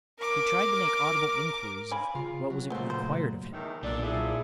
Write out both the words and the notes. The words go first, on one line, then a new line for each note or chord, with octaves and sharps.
He tried to make audible inquiries of what was required of him.
A#4 D6
F5 G#5 B5
C#3 F4
F#3
A#2 F#3 A3 C5
C5
E2 A2 D#3
B1 A#2 D4 A4 D5
F3 E4 G#4 A4 D5